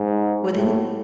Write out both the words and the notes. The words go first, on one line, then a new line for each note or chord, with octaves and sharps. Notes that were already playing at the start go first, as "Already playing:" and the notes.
Well, then,
Already playing: G#2
A2